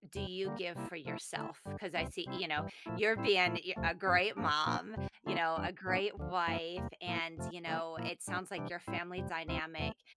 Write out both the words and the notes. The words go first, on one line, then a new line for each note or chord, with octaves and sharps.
do you give for yourself? 'Cause I see you know, you're being yeah, a great mom, you know, a great wife, and, you know, it sounds like your family dynamic,
E2 C3 G3
D3 G3 A#3
C3 G3 A#3 E4
C3 F3 A3 E4
D3 A3 E4
G2 D3 G3
D2 C3 E3 G3 C4
C3 G3 C4 E4
G2 E3 G3
A#2 F3 A3 E4
A2 G3 C4 E4
A#2 F3 A3 E4
D2 C3 F3 A3
G2 F3 C4
G2 F3 A#3 D4
A#2 F3 A#3 D4
F2 C3 G3
D3 A3 C4 E4
F2 E3 G3 D4
A2 F3 A#3 D4
D2 D3 F3
G2 F3 A#3 E4
E2 C3 G3 A#3
A2 F3 A#3 E4
F2 C3 F3 A3
D3 F3 A#3 E4
A#2 F3 A#3 E4
A2 G3 D4
C3 E3 G3 D4
A2 G3 C4 E4
F2 C3 G3
D2 C3 F3 C4 E4
E2 C3 E3 A3